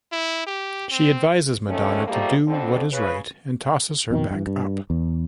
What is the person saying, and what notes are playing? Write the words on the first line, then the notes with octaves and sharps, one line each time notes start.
She advises Madonna to do what is right and tosses her back up.
E4
G4
C4
F2 D3 D#3 A3 C#4
G#2 F3 G3 A3 A#3
F2 D3 C4
C#3 B4
F2 B2 D3 D#3
G2 E3
G2
E2